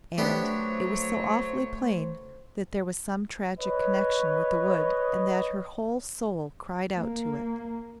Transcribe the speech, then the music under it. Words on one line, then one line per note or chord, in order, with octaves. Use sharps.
And it was so awfully plain that there was some tragic connection with the Wood and that her whole soul cried out to it.
F#3 A3 B3 D4 G4 C5 C#5
B4 C#5 D#5
A#3